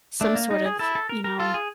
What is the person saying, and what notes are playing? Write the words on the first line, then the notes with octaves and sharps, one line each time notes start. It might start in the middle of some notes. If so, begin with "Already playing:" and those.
some sort of, you know
A3 D4
A#3
D#4
G#4
E4 A4
A4
A#4
A#4
F4 A4
G#4